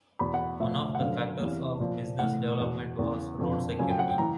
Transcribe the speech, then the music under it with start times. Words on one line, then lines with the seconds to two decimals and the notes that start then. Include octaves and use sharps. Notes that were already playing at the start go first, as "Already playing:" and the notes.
One of the factors of business development was road security.
0.19 E2 B2 B5
0.34 F#5
0.60 A2 F3 E5
0.95 F#5
0.99 F#2 D3 F3 F5
1.39 E2 C3 E3
1.80 A#2 F3
2.19 A2 E3 F#5
2.60 E2 B2
2.99 E2 C#3 E3
3.38 F2 D3 F3
3.79 F#2 C#3 F3 G#5
3.89 G5
3.99 F#5
4.09 G5
4.18 E3 A#5